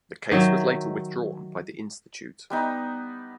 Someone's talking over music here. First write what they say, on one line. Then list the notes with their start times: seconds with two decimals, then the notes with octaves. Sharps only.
The case was later withdrawn by the institute.
0.31 D#3 F#3 E5
2.50 G3 B3 D#4